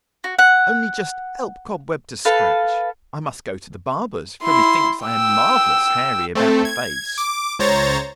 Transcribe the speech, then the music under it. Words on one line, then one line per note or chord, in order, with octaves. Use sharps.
"Only just help Cobweb to scratch. I must go to the barber's, for methinks I am marvelous hairy about the face."
F#4
F#5
A4 B4 F5
E4 C6
G5 E6
A3 C4 A4
G#6
D6
C#2 C5 C#5 A#5 A6